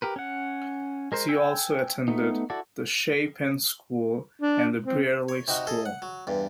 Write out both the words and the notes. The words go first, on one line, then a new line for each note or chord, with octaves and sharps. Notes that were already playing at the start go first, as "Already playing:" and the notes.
She also attended The Chapin School and The Brearley School.
G4 A#4 B4
C#4 F#5
G#3 A#4 C5
G5 G#5 E6
A3 B3 D#4
E4 F#4 A4 D5
D4
C4
C#5
C3 D#4 F#4
G#4 A4 D#5
F#5
F#3
E2 G2